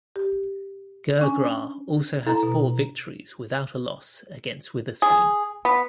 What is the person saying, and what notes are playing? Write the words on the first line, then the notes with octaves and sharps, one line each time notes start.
Girgrah also has four victories without a loss against Witherspoon.
G4
C#4 D4 G#5
E4 A4 A#5
B2
G#4
B3